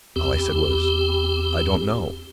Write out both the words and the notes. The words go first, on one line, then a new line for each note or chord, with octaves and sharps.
All I said was: "I don't know."
E2 C4 G4